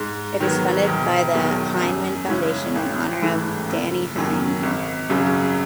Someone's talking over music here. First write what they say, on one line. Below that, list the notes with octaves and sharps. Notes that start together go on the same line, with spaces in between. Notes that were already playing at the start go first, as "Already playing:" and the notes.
It is funded by the Heineman Foundation in honour of Dannie Heineman.
Already playing: G#2
D#3 F#3 B3
E1
E2 D#3 F#3
F#2
C#3 G#3 C#4 E4
A1
G#2 E3 A3 E4
F#1
F#2 D#3 F#3
G#1
F#2 C#3 F#3